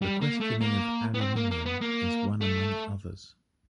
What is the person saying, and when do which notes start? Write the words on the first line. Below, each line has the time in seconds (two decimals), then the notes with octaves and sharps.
The questioning of aluminum is one among others.
0.02 G3
0.22 A#3
0.41 A3
0.62 A#3
1.14 B3
1.21 C4
1.36 A#3
1.51 A#3
1.66 B3
1.81 A#3
2.41 A3